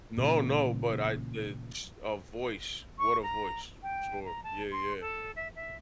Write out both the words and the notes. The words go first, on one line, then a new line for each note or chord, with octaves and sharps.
No, no, but I did ch A voice, what a voice. Sure. Yeah, yeah.
A#2 C#3 E3
C#6
A#5
G5
A#5
A5
C6
A4
E5
E5